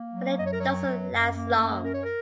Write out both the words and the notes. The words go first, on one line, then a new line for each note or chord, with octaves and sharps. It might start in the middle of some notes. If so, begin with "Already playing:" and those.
But it doesn't last long.
Already playing: A#3
F#3
F#2 D#5
C#5
A#4
F#3 C#5
F#2
F#2
A#3
F#2
C#4 A#4
C#5
A#4